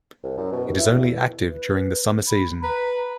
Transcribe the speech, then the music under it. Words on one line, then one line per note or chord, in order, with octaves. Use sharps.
It is only active during the summer season.
C2
F#2
B2
D#2
E4
E2
B4
B5
B4 A#5